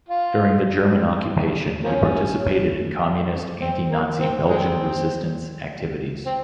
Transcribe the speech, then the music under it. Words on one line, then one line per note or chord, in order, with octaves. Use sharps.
During the German occupation, he participated in communist anti-Nazi Belgian resistance activities.
F4
F3 A#3 C#4
C4
A#3
C4
G#3 C4
C4